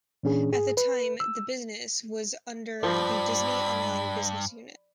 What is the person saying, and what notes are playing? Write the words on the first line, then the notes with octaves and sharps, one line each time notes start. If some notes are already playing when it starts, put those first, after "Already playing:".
At the time, the business was under the Disney Online business unit.
A#2 E3 C#4 D4 G#4
G#2 G#4
B4
E6
G2 F3 D5 B5